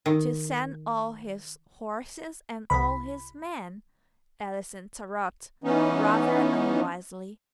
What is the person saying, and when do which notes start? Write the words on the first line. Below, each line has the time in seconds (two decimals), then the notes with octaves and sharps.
'To send all his horses and all his men,' Alice interrupted, rather unwisely.
0.06 D#3
2.70 C2 B5
5.64 E3 B3 C#4 D#4